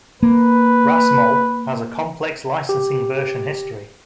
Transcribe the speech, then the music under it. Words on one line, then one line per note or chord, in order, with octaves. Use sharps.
RasMol has a complex licensing version history.
A#3 B4
G4